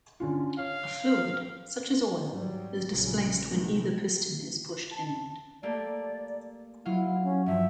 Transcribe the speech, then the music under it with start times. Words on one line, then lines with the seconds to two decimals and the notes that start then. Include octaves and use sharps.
A fluid, such as oil, is displaced when either piston is pushed inward.
0.20 D3 C#4 F4
0.59 C#5 F5
2.28 G#2 F#3 G3
2.89 A#1 A#2 C#3 F3 F#3
3.46 C3 D#3 G#3 A3 B3
4.91 A5
5.63 A3 A#3 G4 D5
6.85 F#3 E4 F4 F5
7.24 C#4
7.46 G2 F3 E5